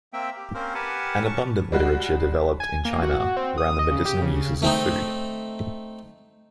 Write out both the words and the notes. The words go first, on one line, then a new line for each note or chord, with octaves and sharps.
An abundant literature developed in China around the medicinal uses of food.
A#3 C4 E5 G5
G4
A#3 C4 C#4 A#4 C5
G4 A#4 B4 F#5 G#5 A5
C#4 A5 C#6
G3 G#3 F#4
G#5
A#3
F#4
F#4
C4
D#6
D#5
C#3
G4
C#3
A3 C4 D#4